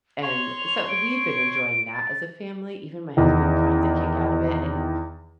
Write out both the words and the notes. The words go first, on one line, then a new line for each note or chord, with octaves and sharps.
and so we've been enjoying that as a family, even my husband finds a kick out of it, and
C#5 C6 C#6 F7
D7
A6
E2 D#3